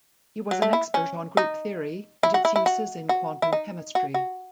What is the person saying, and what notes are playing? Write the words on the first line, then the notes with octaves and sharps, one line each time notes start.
He was an expert on group theory and its uses in quantum chemistry.
F#3
A3
E4
C#4
D#4
E4
F#4
E4
E4
F#4
F#4
E4
D#4
F#4
F#4